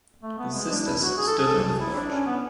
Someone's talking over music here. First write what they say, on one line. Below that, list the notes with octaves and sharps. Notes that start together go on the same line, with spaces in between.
The sisters stood on the porch.
A3
B3
G#3
D4
E4
F#4
G#4
A4
G#4
A4
E4
D4
C#4
B3